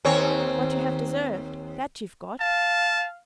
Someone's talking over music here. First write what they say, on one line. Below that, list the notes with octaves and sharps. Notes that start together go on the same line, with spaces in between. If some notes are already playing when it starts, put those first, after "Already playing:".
What you have deserved, that you've got.
D#2 C4 C#5
F5 A5